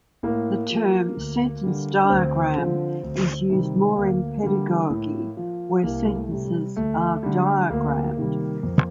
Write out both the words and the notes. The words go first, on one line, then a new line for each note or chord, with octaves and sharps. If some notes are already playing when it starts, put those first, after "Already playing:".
The term "sentence diagram" is used more in pedagogy, where sentences are "diagrammed".
A2 A#3
F3
D2
D3 G3
D4
D2 C4
D3 F3
D2
C3 D#3 G3
D2 A#3
D3 G3
A2
F3
C2 A#3
G3
A3
C3 G3
G3
D2 A3
D3 G3
D2 A#3
C3 D#3 G3
F2